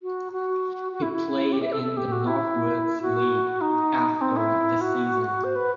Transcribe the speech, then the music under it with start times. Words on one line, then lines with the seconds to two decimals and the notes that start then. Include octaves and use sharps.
He played in the Northwoods League after the season.
0.03 F#4
0.32 F#4
0.92 F#4
1.02 E4
1.12 E4
1.52 G4
1.62 E5
1.72 A4
1.82 A4
1.97 G4
2.12 F#4
2.27 E4
3.02 F#4
3.61 D#4
4.21 C4
4.36 E4
4.81 F#4
5.44 C5
5.55 B4